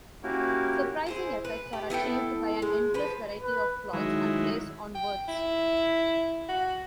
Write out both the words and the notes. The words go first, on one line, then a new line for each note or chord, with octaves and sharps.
Surprising effects are achieved by an endless variety of plots and plays on words.
A#3 C#4 E4 F#4 G4 A#4
E4 G#4 C5
B4
G4
B3 E4 A4 G5
G#3
F3 B4
B4
D#3 F#3 G#3 E4
G5
E4
F#4